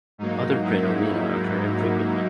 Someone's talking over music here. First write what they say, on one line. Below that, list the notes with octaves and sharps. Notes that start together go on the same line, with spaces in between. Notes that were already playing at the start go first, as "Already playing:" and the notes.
Other praenomina occur infrequently.
G#2 F#3 A#3 D#4
E4